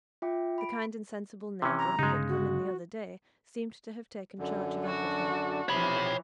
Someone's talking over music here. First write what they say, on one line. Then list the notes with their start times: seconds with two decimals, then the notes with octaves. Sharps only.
The kind and sensible neighbour, who had come in the other day, seemed to have taken charge of everything.
0.22 F4 E5 G5 D6
0.58 B5 D7
1.62 C3 E3 C#4
1.79 A#5
1.99 G1 C#3 G#3 D#4
2.29 F#4
4.39 F#2 D3
4.84 D4 F#4
5.69 C3 E3 F3 C#5 B5